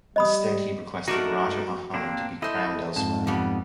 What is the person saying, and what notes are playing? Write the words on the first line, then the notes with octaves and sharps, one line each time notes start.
Instead, he requested Raja Muhammad to be crowned elsewhere.
G3 D#5 B5 D#6
A3 D4 D#4 F#4 A#4
A#3 C4 D4
A3 E4 C5 D#5
F2 G#2 A5
F3 G3 B3